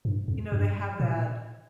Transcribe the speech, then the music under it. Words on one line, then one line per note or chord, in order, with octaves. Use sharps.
you know, they have that, uh,
G2
F2
G2
A#2